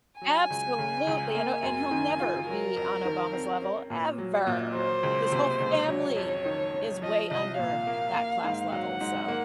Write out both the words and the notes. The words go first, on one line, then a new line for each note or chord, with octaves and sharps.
Absolutely. I know. And he'll never be on Obama's level ever. His whole family is way under that class level. So,
F#3 G#5
C#2
C#3
C#2
A#3 G#5
F#2
D#3
F4
F#3 A#4
F2
D#3
C4
C#4
A#2
F#3
A#2
F#3 C5
C#2
C3
C#2
F#3 C#5
F2
D#3
C#4
F3 D#5
C2 D#5
A#2 F5
A#3
A#3
G#2
F#3 F#5
G#2
A#3